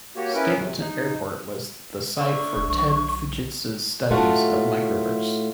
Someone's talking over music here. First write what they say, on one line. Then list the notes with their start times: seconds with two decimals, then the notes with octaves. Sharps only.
Stapleton Airport was the site for Ted Fujita's studies of microbursts.
0.16 A#3 F#4 G4 C#5
0.34 B3 C#4 E4 A#4 B4
0.60 C3
0.80 D#4
2.19 D3 D5 E5 C#6
2.56 F1
2.68 B1
4.11 A2 A3 F4 F#4